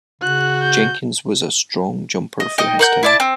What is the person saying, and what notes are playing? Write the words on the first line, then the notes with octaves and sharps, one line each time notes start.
Jenkins was a strong jumper for his time.
C#3 F#4 F#6
G6
D#5
D#4 D#5 G5
A#4 F#5 G6
E4 D5 A5
C4